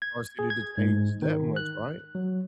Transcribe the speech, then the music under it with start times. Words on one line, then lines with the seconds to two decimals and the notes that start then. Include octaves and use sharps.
our city to change that much, right?
0.02 G#6
0.39 G#4
0.50 G#6
0.78 G#2
1.22 D#3
1.56 F#6
2.15 F#3